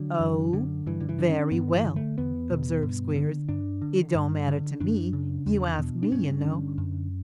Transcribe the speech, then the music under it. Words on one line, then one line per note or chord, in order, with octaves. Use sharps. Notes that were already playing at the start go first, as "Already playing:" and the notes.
'Oh! very well!' observed Squeers, 'it don't matter to me; you asked me, you know.
Already playing: D3 F#3
F#2
D3
G2 E3
D3
E3
D3
C#4
G2 B3
E3
D3
A3
E2 B3
B2
G2
D3
G2 D4
D3
G2
D3
F#2 D4
C#3
E2
B2
D4
G2 C#4
D3
F#2